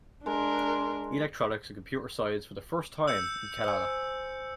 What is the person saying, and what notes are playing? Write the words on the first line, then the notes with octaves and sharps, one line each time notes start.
Electronics and Computer Science for the first time in Kerala.
G#3 D4 A#4
E6 G6 C#7
C5 G#5